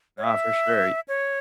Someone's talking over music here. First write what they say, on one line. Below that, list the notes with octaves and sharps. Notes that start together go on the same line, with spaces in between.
Uh, for sure.
C#5
E5
C#5